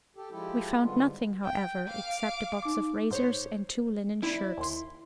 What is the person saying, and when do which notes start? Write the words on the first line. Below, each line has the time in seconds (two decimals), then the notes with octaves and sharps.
We found nothing, however, except a box of razors and two linen shirts.
0.16 G4 A4
0.31 F3 G#3 E4 G4 A4
0.82 G#2 D3 G3 G#3 B3 F4
1.44 G5
1.88 F5 D6
2.62 D#4 D6
3.11 G#2 C5 C#5
4.23 E4 D5
4.58 D#2 C6